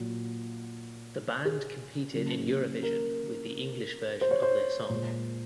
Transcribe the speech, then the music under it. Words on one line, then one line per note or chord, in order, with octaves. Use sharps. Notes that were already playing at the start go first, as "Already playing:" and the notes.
The band competed in Eurovision with the English version of their song.
Already playing: A#2 F#3 A#3
G#4
C#3 F#3 A#3
A#4
C5
C#5
C5
A#2 G#3